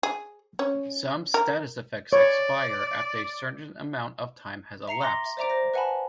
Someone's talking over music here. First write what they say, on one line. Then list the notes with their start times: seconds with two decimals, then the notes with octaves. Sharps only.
Some status effects expire after a certain amount of time has elapsed.
0.03 G#4
0.59 C#4
1.34 A#4
2.13 C#5 D5
4.88 E5 A#5 C7 C#7
5.01 A#5 C6 D6 A#6 G7
5.26 E5
5.37 C5 D5 E5 A#5 D6 D7
5.50 C5 A#6
5.74 B4 E5 F#5 G#5 A5 B5